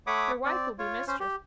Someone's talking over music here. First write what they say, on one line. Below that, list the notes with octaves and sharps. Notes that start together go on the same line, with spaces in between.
Your wife will be mistress.
A3 C#5 F#5 B5 D6 D#6
C4 D5
F4 C#5
C#4 C5
G4